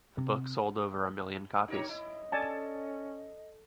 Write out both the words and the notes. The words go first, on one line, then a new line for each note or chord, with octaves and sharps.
The book sold over a million copies.
C3
D#4 G4 A#4 C#5
E4 D#5
C#4 A4 D5 G#5 A5